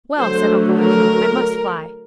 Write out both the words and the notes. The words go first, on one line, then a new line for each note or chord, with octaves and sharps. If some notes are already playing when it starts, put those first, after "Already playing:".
'Well,' said Uncle Reginald, 'I must fly.
D3 F#3 A3 C5
A#4